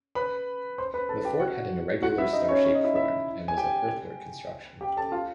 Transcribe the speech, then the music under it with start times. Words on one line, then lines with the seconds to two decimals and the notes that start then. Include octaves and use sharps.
The fort had an irregular star shaped form, and was of earthwork construction.
0.15 B4 B5
0.78 C5 C6
0.94 B4 B5
1.09 A4 A5
1.25 G4 G5
1.40 F#4 F#5
2.02 F#4 F#5
2.18 E4 E5
2.33 D#4 D#5
2.48 C#4 C#5
2.64 C#4 C#5
2.74 D#4 D#5
2.84 E4 E5
2.95 E4 E5
3.48 G#5
3.57 G4 G5
4.81 G4 G5
4.97 A4 A5
5.12 F4 F5